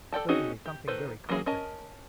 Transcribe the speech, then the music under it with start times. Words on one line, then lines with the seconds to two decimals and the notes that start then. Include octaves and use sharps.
Certainly something very complex.
0.12 A4 D5 G5 A5
0.29 C4 C#4 D#4 F#4 G#4
0.66 G4
0.88 D#3 D#4 A4 B4 C5
1.29 F#3 A#3 C#4 D4 G#4
1.46 C#4 A#4 D#5 A5